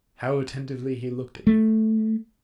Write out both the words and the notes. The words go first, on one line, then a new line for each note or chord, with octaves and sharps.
"How attentively he looked at you."
A3